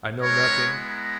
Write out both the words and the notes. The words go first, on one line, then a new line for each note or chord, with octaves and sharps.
I know nothing.
G#3 B3 E4 A#4 C#5
A#5